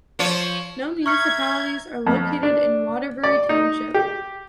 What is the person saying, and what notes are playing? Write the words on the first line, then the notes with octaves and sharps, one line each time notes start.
No municipalities are located in Waterbury Township.
F3 F4 C#5
E5 A#5 C#6 F6 G6 G#6 C#7
F2
D4
D5
D#4
G4